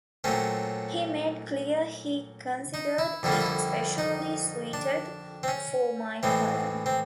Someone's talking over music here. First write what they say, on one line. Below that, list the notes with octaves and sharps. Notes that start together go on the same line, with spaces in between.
He made clear he considered it especially suited for my column.
A#2 F#3 A3 C4 C#4
D#4
E4
F2 D3 G3 A#3 E4
F4
E4
D#4
D4
C4
C#4
A2 E3 G#3 C4
C4